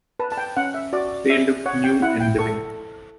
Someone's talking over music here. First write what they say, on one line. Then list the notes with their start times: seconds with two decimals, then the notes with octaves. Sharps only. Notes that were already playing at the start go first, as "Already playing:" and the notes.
They looked new and living.
0.20 B4 A5
0.32 A5
0.38 G5
0.57 C#4 F#5
0.74 E5
0.93 F#4 D5
1.29 C#4 E5
1.66 C#5 F#5
1.84 G5
2.02 E4 F#5
2.20 G5
2.39 A4 C#6